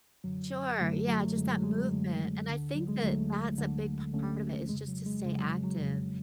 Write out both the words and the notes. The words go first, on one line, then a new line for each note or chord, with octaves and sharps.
Sure. Yeah, just that movement, and I think that that's a big part of it is just to stay active,
F#2 D3 F#3
F#2 D3 F#3 A3
F#3 A3
F#2 D3 G#3
F#3
G#3
F#3
F#2 D3
D2 D3
F#3
G#3
D2 D3 F#3 A3
D2 D3
D2 D3 A3 C#4
F2 C#3 G#3
F#3
G#3
F2 C#3 G#3
F#3
F#3
F2 C#3